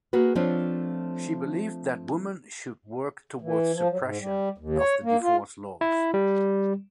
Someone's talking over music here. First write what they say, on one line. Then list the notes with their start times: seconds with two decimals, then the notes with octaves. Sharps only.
She believed that woman should work towards suppression of the divorce laws.
0.13 A#3 F#4 G#4 B4
0.35 F3 A3 C4 D4 F4 C#5
3.42 E3
3.74 F3
3.89 F#3
4.01 G#2
4.20 G3
4.58 D#2
4.78 C#5
5.03 A#3
5.22 F4
5.81 E4
6.14 G3